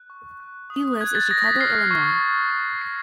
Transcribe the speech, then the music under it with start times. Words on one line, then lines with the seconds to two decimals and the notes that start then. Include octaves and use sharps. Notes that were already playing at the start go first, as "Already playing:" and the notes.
He lives in Chicago, Illinois.
Already playing: F#6
0.10 C#6
0.40 F#6
0.70 D#6
1.00 F#6 G#6
1.15 A6
1.30 D#6 A#6
1.46 B6
1.60 F6 C7
1.91 C#6
2.21 F6
2.51 C#6
2.82 F6 C7